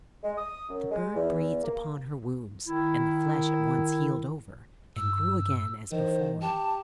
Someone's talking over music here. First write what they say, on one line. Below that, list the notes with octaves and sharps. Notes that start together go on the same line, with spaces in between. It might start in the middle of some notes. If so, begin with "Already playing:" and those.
The bird breathed upon her wounds; and the flesh at once healed over, and grew again as before.
G#3
D#6
F#2
G#3
E2
A#3
D#3 E4
G2 E6
D#3 E3 C5
G4 A5